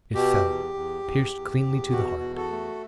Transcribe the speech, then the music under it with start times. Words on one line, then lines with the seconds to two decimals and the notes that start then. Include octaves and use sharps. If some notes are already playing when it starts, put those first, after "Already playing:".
It fell, pierced cleanly to the heart.
0.14 B2 G4
0.44 E2
0.74 E2
1.03 E2
1.33 E2
1.62 E2
1.91 B2 F#4
2.21 E2
2.36 F#4 A4
2.51 A3